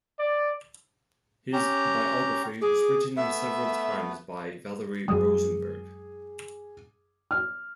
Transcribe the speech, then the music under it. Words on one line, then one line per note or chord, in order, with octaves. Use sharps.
His biography was written several times by Valerie Rosenberg.
D5
C#4 G4 A#5
G#4 D6
A3 B3 B4 E5
F#2 F#3 G#3 G#4 D#6
F6